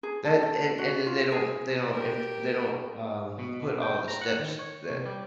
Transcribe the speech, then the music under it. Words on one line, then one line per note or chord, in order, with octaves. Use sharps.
That and and then they don't they don't imp they don't, um, put all the steps that
G#4
A4
A4
F#4
F4
G#4
G4 A#4
B2
B2
G5
A#5
F#5
D#3
C#5
C3
G3